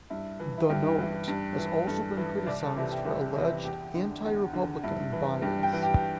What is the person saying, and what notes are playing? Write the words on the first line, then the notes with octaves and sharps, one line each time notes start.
The Note has also been criticized for alleged anti-Republican bias.
G2 E4
E3
E4
G2 G4
E3
G2
E3
G2 A4
E3
C2 D5
A4
C3 E3 A4
G4
C2 E4
C3 E3
E2 G4
D3
E2
D3
G2 E4
E3
G2 G4
G5
E3
G4